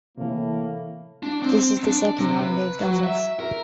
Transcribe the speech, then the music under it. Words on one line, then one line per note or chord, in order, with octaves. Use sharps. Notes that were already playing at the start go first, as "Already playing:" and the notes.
This is the second time they've done this.
A2 C3 E3 A#3
D4
C4
D4
C3
B4
F#3
E5
A#4